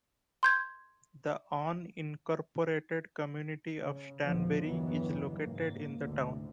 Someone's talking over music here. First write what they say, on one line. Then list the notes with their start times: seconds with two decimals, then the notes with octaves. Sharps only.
The unincorporated community of Stanberry is located in the town.
0.43 C6 G6 G#6
3.81 C#3
4.24 A#1 D#2 B2 F3 F#3 G#3
4.65 G1 E2 D#3 E3 F#3 B3
5.45 F#1 G#2 A#3
6.04 G#1 D2 A2 D3